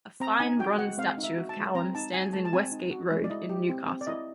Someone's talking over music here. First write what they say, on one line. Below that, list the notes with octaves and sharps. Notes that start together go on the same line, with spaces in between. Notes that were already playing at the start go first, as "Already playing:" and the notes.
A fine bronze statue of Cowen stands in Westgate Road in Newcastle.
C4 A#5
D#4 G#5
F#4 G5
G#3 F#5
C4 F5
D#4
E5
F#4
A5
G#3
C4 A#5
D#4 A5
F#4 G#5
G#3 A5
A5
C4 G#5
D#4
F#4
G#3
D5
E4 D#5
G4
C4
C4
D5
E4 D#5